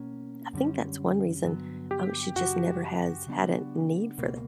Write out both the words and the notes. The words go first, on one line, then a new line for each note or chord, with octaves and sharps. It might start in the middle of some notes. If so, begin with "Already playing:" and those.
I think that's one reason, um, she just never has had a need for
Already playing: B2 A#3 C#4
F#2 D3 G3 C#4
G2 D3 F#3 B3
G4
F#2 C#3 F#3 F#4
C#3 F#3 B3 D4
C#2 B2 A#3